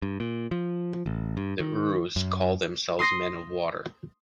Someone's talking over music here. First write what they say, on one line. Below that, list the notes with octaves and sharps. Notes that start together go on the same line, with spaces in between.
The Urus called themselves "men of water".
G2
A#2
F3
A1
G2
D#3
F#2
C6 D#6 A#6 C7